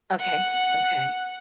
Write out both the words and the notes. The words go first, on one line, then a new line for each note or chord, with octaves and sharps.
Okay, okay.
F#5